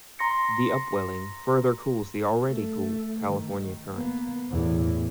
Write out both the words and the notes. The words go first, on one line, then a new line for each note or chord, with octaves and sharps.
The upwelling further cools the already cool California Current.
A#5 C6 A#6 C#7
A3
D#3
A#3 B3
E2 A2